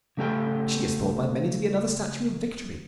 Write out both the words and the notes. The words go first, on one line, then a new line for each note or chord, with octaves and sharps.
She is thought by many to be another statue of Victory.
C#3 A3 G4 G5